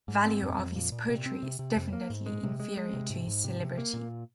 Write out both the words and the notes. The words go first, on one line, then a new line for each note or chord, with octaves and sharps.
The value of his poetry is definitely inferior to his celebrity.
G#2
C4
F2
F2
A#2
A#2
C3
C4
C3
C3
F2
A#3
G#2
G#3
C3
G#3
G#3
C3
G#2
G#2
C3
C3
A#3
A#2